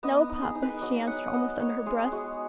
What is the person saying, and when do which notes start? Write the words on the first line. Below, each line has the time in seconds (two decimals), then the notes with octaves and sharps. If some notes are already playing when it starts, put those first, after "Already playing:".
"No, papa," she answered almost under her breath.
0.03 B3 D#5
0.29 D#4
0.42 G#4
0.55 D#4
0.62 B4
0.81 F#3 D#5
1.07 D#4 F#5
1.34 B3 D#5
1.60 D#4 C#5
1.86 G#3 G#4
2.05 G#4
2.12 G#3 F#4